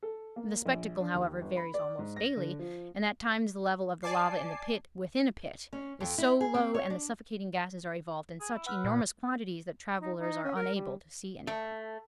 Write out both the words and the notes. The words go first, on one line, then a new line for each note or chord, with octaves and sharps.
The spectacle, however, varies almost daily; and at times the level of the lava in the pit within a pit is so low, and the suffocating gases are evolved in such enormous quantities, that travellers are unable to see anything.
A4
A#3
A#1
D4
D#2
G1
B5
D5
G#2
A#6
D3
F3
D5 G#5 A5 D6 C7
C#4
F2
E4
G#4
C4
C#5
D4
G#4
E4
B4 F#5 E6 F6
A#2
D#4
D#4
C#4
A#4
G3
A3